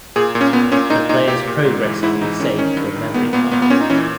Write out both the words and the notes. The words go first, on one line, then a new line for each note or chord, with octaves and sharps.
The player's progress can be saved to a memory card.
A#2 G#4
A#2
C#4
A#2 B3
A#2 C#4
A#2 D#4
A#2 D#4
A#2 G4
A#2
G#2
E3
G#2 E4
E3 D#4
D#3 C#4
D#3 C#4
G2
D#3
A#2 B3
A#2 B3
A#2 B3
B3
A#2 C#4
D#4
E3 C#4